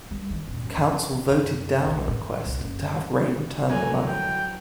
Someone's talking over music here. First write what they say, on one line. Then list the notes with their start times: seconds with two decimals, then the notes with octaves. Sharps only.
Council voted down a request to have Rae return the money.
0.11 G3
0.30 D#3
0.47 D#1
0.62 F#2
0.76 E3
1.08 C3
1.30 F#2
1.84 B1
2.08 A2
2.45 C2
2.58 F#1
3.69 D2 E3 F#3 G#5
4.07 G5